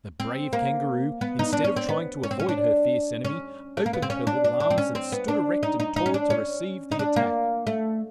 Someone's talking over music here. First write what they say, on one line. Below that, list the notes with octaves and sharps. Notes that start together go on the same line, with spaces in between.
The brave Kangaroo, instead of trying to avoid her fierce enemy, opened her little arms, and stood erect and tall to receive the attack.
C4
A#3
B3
D#4
D4
C#4
C4
B3
C#4
C4
C#4
D4
C#4
A3
A#3
B3
C4
C#4
D4
D4
D4
C4
C#4
C4
B3
D4
D#4
D#4
D#4
C#4
D4
C#4
D#4
D4
A#3
A3